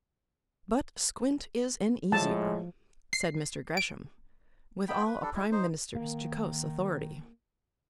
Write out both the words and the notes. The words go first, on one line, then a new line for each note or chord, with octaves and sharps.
"But squint is an easier," said Mr. Gresham, with all a prime minister's jocose authority.
A2 F3 G#3 A5
C7
D7
B3 D#4 G5 B5
B4
G3 D4 A4
G#3 E4
D#4 C5
D#3 A#3